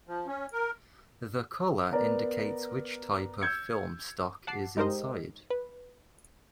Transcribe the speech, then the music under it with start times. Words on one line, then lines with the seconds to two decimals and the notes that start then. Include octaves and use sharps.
The color indicates which type of film stock is inside.
0.07 F3
0.27 C#4
0.52 A#4
1.92 B3 A#4 D5
3.42 E6 G6 G#6 C#7
4.47 F#5 A5 D6 C7
4.77 G#3 D#4 G4 A#4 C5 D#5
5.50 B4